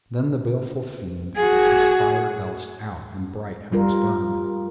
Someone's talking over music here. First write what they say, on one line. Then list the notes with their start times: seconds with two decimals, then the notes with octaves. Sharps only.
THEN the baleful fiend its fire belched out, and bright homes burned.
1.36 F#4 G#4
3.72 G3 F4 A#4